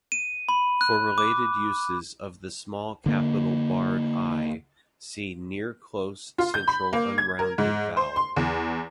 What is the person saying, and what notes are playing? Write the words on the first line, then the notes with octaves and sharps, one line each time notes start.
For related uses of the small capital barred i, see near-close central unrounded vowel.
D#7
B5
F#6
D6
D3 A#3
F4
G6
B5
A#3
G#6
A#4
G#2
C5
C6
E2